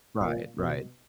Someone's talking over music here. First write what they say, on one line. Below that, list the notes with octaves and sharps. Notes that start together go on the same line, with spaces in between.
Right, right.
A#2
B2